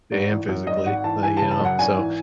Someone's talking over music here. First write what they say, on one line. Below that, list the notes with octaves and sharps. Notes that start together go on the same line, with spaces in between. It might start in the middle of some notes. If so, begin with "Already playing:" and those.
and physically, like, you know, so,
G#1
E3
F#2
G#1 D#5
G#1 F#5
E3 A5
E3 G#5
C#3 A5
A5
F#2 F#5
G#1 G#5
E3